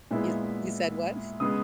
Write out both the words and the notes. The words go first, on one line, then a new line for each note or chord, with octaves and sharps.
You you said what?
A#2 G#3 B3 E4 E5
C#3 G#3 B3 D#6